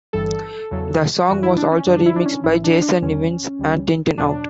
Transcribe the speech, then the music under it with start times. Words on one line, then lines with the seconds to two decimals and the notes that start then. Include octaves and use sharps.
The song was also remixed by Jason Nevins and Tin-Tin Out.
0.13 G1 G2 E3 G3 A4
0.71 E2 C#3 F#3
1.28 F#2 E3 G3 F#4
1.43 E4
1.57 D4
1.72 C#4
1.87 F#2 D3 F#3 D4
2.06 E4
2.16 D4
2.25 C#4
2.44 A1 A2 E3 E4
2.64 D4
2.82 D4
3.02 E2 D3 G3 C#4
3.59 D2 D3 G3
4.18 E2 B2 F#3 D4